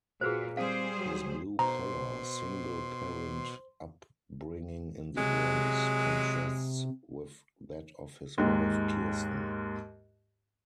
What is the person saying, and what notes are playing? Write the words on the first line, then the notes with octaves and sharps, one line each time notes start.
His blue-collar, single-parent upbringing in The Bronx contrasts with that of his wife Kirsten.
A#2 F#4 G#4 B4 C5
G3 C4 G#4 C5 F5
F#3
B2 C5 A#5 C6
C3 F#3 G#3
D#2 G#2